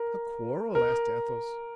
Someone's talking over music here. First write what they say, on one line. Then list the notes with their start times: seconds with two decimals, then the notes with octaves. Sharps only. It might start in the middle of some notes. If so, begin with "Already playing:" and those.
"A quarrel?" asked Athos.
Already playing: A#4
0.75 A#4